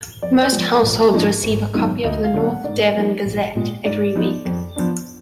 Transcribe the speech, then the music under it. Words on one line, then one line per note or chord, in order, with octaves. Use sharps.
Most households receive a copy of the "North Devon Gazette" every week.
F2 D5
B4
D5
F3 G#3
A#1
G#2 F3 G#3 D4
G#1
F#2 D#3 G#3 B3
D2 D#5
F5
D3 F#3 B3 D4
F#5
G#2 D5
F#3 A#3 D#4
A#1
A#2 G#3
G#2 D5
F3 B3 D#4
F2
F3 B3 D4